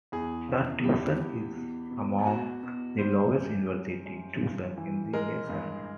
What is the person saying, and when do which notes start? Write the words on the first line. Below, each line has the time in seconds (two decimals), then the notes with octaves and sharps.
The tuition is among the lowest university tuition in the nation.
0.12 E2 G#4
0.48 C#3
0.84 E2 G4
1.20 E2
1.56 B2
1.91 B2
2.27 B2 F#4
2.63 B2
2.98 G3 C5
3.34 F#2
3.70 G3
4.06 F#2
4.42 G2
4.78 E3
5.13 G#3 A#4
5.49 G2